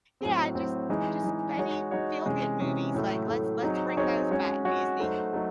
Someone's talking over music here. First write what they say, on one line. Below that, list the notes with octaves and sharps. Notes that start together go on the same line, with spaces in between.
yeah, just just funny feel-good movies, like, let's let's bring those back, Disney,
A2 F#3 C4
A2 F#3 C4
E3 G#3 D#4
E3 G#3 D#4
G#3 D#4 F#4 C#5
G#3 D#4 F#4 C#5
C3 E3 G#3 C#4
C3 E3 G#3 C#4
A2 F#3 A3
A2 F#3 A3
F#3 C4 D#4 G#4 C#5
F#3 C4 D#4 G#4 C#5
G#3 C#4 F#4 C#5
G#3 C#4 F#4 C#5
F#3 A3 D#4 F#4 C5
F#3 A3 D#4